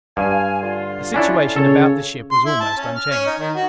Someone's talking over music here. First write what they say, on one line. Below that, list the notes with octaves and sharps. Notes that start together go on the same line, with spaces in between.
The situation about the ship was almost unchanged.
G2 F5 G#5
D3 F4
C#4 D4 E4
A#2 C#3 A4 C#5
C6
E4
A5
C#4
F6
C#4
D#4
D#3
F#4